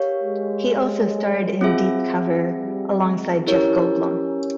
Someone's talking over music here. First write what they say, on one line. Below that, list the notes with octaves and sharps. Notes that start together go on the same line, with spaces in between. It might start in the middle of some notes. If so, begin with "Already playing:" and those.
He also starred in "Deep Cover" alongside Jeff Goldblum.
Already playing: G4 A#4 C#5 F5
G#3
C4 F4 G#4 E5
G3
G#3
C#4 E4 G4 A#4 C#5